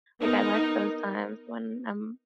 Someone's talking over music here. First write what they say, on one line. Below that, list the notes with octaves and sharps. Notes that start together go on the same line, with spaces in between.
Like, I like those times when I'm
B3 D#4 A#4